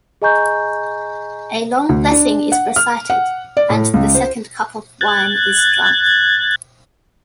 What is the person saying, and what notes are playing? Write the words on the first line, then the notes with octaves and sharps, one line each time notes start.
A long blessing is recited, and the second cup of wine is drunk.
G#4 D#5 G#5 A#5 C#6 G6
D2
D4
F#5
F6
F#5
D5
A2
C#2
C5
F#6 G#6 A6